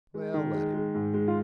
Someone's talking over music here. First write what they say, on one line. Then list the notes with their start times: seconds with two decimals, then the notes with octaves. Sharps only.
"Well, let him."
0.14 G#3
0.34 D#3
0.54 G#3
0.74 G#3
0.95 G#2
1.14 G#3
1.28 F4